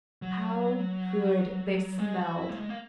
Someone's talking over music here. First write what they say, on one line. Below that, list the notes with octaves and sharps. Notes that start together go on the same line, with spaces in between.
How good they smelled!
F#3
G#3
F#4
E4
A#3
G#3
A#3